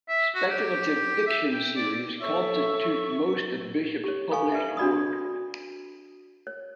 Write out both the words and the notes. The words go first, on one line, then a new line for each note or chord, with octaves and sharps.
Speculative fiction series constitute most of Bishop's published work.
E5
F#4
G4
E5
G5
D5
A4 C#5 E5 C#6
G4 C#5
A4 F5 G#5 B5 C#6
B4 D5 E5
D4 F#4 D5 B5 D#6
C#5